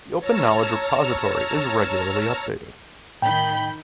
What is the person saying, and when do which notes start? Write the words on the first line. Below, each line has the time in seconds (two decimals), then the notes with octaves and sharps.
The Open Knowledge Repository is regularly updated.
0.19 C#5 A5 A#5 E6 F6
3.22 A2 D#3 G5 B5 G6